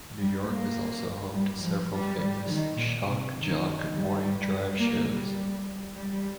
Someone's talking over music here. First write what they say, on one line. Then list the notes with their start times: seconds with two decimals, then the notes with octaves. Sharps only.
New York is also home to several famous "shock jock" morning drive shows.
0.19 G3
0.48 A#3
1.34 G3
1.63 F3
1.92 G3
2.21 G3
2.49 D#3
2.78 A#2
3.07 C3
3.35 D#3
3.93 G3
4.79 A#3
5.08 G3
5.95 G3